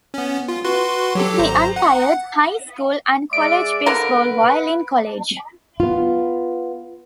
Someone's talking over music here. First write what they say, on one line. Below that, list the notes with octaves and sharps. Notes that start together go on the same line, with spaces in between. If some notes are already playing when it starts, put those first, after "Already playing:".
He umpired high school and college baseball while in college.
B3 C#4
F4
F#4 B4 C6
F#3 G4 A4
G#1 C5 A#5
F#5
G#3 D5 E5 D7
D3 A#4 B4
B3 F4